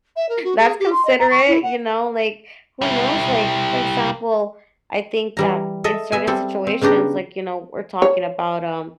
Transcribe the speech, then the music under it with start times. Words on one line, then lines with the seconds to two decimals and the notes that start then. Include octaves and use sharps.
that's considerate, you know? Like, who knows? Like, for example, I think that in certain situations like, you know, we're talking about, um,
0.16 E5
0.29 A#4
0.44 F#4
0.58 G#4
0.79 G4
0.92 C6
1.05 D#5
1.19 A#5
1.31 C#6
1.47 E4
1.63 F#5
2.81 G3 E4
5.37 E3 G3 A#5
5.84 A4 D#5 E5
6.12 B3 E5 G#5
6.27 G3 C4 A4
6.67 C4
6.81 C#3 B3 D4 G4 A#5
8.02 C#5